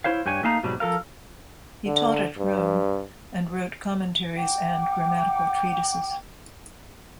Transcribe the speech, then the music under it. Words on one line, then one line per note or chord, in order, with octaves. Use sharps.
He taught at Rome, and wrote commentaries and grammatical treatises.
E4 C5 C#5 F5
G2 G4 C#5 G#5
A3 A#3 D#4 F5 A5 A#5
G#2 B2 F#3 G3
F3 A4 A#4 F5
D3
G2
F#5 G5 D6